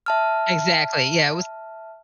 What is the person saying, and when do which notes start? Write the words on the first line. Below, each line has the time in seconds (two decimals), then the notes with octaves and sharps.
Exactly. Yeah, it was
0.06 E5 A5 F6